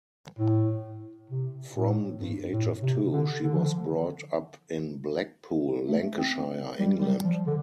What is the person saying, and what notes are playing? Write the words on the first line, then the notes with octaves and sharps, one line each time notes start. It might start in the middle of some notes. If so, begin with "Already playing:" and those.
From the age of two, she was brought up in Blackpool, Lancashire, England.
A2
C3
A2
G2
A2
C3
D3
D3
F3
D3
A3
C4
G3
G3
F3
D3